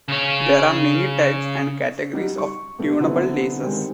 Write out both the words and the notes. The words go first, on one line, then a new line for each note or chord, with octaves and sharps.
There are many types and categories of tunable lasers.
C#3 C#5
F#3 G3 D#4 F#4
C#6
G3 A3 B3
D3 F#3 B3 C4 E4
D#3 G3 G#3 C4